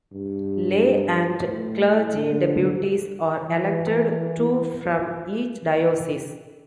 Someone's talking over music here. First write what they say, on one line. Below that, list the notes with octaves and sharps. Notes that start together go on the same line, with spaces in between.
Lay and clergy Deputies are elected, two from each diocese.
G2
A2
D3
E3